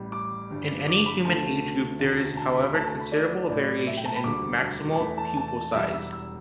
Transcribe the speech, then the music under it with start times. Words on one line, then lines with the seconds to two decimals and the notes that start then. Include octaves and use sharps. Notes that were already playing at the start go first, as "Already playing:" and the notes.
In any human age group there is however considerable variation in maximal pupil size.
Already playing: A1 A2 G3
0.12 D6
0.50 G1 G2 G3
0.88 D6
1.06 B5
1.25 D2 D3 A3 A5
1.99 E1 D2 D3
2.37 A5
2.50 B5
2.62 B5
2.75 D2 D3 A3 A5
2.87 A5
3.00 B5
3.12 D5
3.49 B1 A2 A3 D5
3.87 E5
3.97 G5
4.06 A5
4.16 B5
4.24 E1 D2 D3 G3 D6
4.95 A5
4.99 E2 E3 A3 B5
5.18 A5
5.37 A5
5.74 E1 E2 E3 G3 E5
5.93 E6
6.12 E6